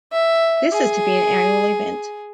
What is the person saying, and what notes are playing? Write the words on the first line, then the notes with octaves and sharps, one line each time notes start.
This is to be an annual event.
E5
G#4